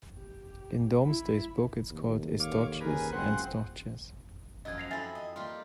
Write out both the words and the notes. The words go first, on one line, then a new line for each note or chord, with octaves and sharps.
In Domesday Book it is called "Estoches" and "Stoches".
G4
E4 B5
D#2
D3 C#5 F5 D6
C#4 G#4 A#4 B4
F#1 C4 F4 F#4 G#4 C5 F#5
F#2 F3 D#5 G#6
A#6 C7 F7
F2 E4 E5 G#5 B5 A6
D#5
G3 A#3 F4